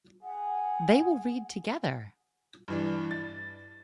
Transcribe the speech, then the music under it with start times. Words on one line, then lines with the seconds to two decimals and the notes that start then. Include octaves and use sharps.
They will read together.
0.23 G#4 F#5
2.68 G2 E3 D4
3.11 A6